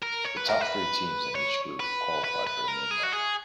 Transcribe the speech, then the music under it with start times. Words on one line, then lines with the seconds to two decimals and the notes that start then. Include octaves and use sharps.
The top three teams in each group qualified for the main round.
0.03 A#4
0.25 C#5
0.37 B4
0.49 A#4
0.61 B4
1.35 C#5
1.80 B4
2.24 B4
2.47 B4
2.68 A#4
2.91 G#4
3.03 F#4
3.12 G#4